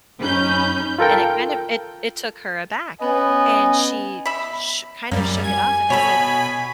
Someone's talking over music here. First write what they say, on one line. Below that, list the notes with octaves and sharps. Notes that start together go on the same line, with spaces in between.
and it kind of it it took her aback, and she sh kind of shook it off and I said,
F#2 C#4 D#4 B5 G6
F4 A4 A#4 G5
B3 C#4 B4 D#5 G#5
E5 B5
F#2 G3 A#3
G#5 G#6
B2 A4 C#5 B5 B6